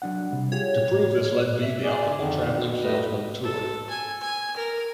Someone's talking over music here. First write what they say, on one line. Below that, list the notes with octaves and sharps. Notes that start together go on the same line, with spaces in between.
To prove this, let be the optimal traveling salesman tour.
F#3 D4 F#5
C3 G3
F4 G4 G#4 C#5
A2
E5
G#4 D5
F2 D3 D#3
B2
A2 A3 B4 D#5
A4
G#5
G#5
A#4